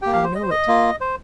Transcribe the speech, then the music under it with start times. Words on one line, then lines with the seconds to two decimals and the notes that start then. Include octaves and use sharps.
I know it.
0.02 A#3 G4 G5
0.13 F5
0.24 C5
0.35 D#5
0.43 C5
0.51 D#5
0.68 A#3 F4
1.01 C5